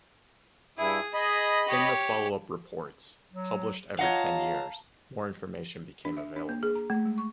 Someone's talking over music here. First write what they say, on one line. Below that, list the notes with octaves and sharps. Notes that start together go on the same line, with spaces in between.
In the follow-up reports, published every ten years, more information became available.
G2 E4 G#4
G#4 D#5 B5
G4 C#5
F#3
F4 C#5 D#5 F5 F#5 A5 A#5
D4
E5
D4
A#3
G#4
A#5
A3
G#3
C#6